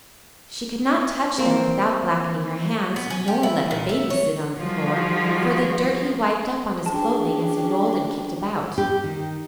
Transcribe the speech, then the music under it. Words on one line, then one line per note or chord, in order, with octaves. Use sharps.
She could not touch them without blackening her hands, nor let her baby sit on the floor for the dirt he wiped up on his clothing as he rolled and kicked about.
A#3 C4
B3
C#4
G4
E4
A#2
E5
C#5
D#3 F3 G3 F4 F#4 G#4
C#4 D4 F#4 G#4 G5 A5
G4
D#3